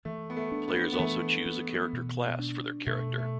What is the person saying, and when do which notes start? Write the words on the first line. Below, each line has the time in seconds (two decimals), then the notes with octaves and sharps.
Players also choose a character class for their character.
0.05 E3 A3
0.30 B3
0.37 A3
0.52 D4
0.68 B3
0.93 B3
0.99 E3 A3
1.46 B3
1.93 B2
2.39 D4
2.86 B2 A3
3.18 A3